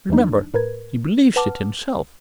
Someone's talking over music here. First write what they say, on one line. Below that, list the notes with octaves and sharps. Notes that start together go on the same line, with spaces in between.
Remember he believes it himself.
E2 E3 F3 G#3 D4 D#4
A2 A#4 B4 G#6
B4 F#5 A5 D6 F6